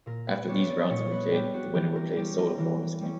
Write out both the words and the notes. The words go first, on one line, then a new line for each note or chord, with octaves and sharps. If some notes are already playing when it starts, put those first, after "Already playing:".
After these rounds have been played, the winner would play a solo bonus game.
A#2 A#4
B4
G3 B3 D4 C#5
D5
A#2 C#5
B4
G3 B3 D4 G4
F#4
E3 G4
A#4
G3 C#4 G4
A#4
E3 A#4
G3 C#4